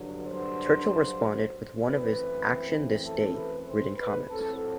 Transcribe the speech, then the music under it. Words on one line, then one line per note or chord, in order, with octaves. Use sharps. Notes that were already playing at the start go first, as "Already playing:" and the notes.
Churchill responded with one of his "Action This Day" written comments.
Already playing: G2 D3 F#3
C5
F#2 E3 A3 C4 B4
A4
B4
C5
B4
A2 F#3 C4 A4